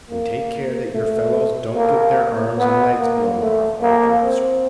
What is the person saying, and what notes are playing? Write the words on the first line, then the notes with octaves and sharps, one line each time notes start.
"And take care that your fellows don't get their arms and legs blown off," added the officer.
A#3
A3
A#3
B3
A#3
A3
A#3
C4